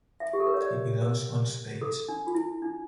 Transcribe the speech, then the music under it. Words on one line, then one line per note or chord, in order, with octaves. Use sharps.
He belongs on stage!
E5
G4
A4
A#4
C#5
D5
A#4
A4
D4
F4
E4
D4